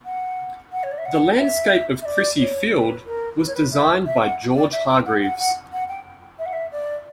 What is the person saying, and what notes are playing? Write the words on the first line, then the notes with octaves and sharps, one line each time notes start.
The landscape of Crissy Field was designed by George Hargreaves.
F#5
F#5
C#5
D5
E5
F#5
E5
E5
D5
C#5
B4
A#4
B4
C#5
B4
E5
E5
F#5
D5
E5
G5
F#5
F#5
F#5
F#5
G5
E5
F#5
E5
D5